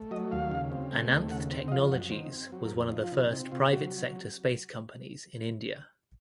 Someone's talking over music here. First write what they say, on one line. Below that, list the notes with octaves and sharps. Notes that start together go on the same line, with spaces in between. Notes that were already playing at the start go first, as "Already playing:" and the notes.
Ananth Technologies was one of the first private sector space companies in India.
Already playing: A3
F#3 D#5
D#2 F5
C#3
C4
A3
D#2
C#3 F#5
C4
D#5
F3 F5
F#2 F#5
D#3 C5
C4
F#3
A#4
F2
F3 D#4
F4
C3 D#4
C4 D#4
C3 F4
F#3 F#4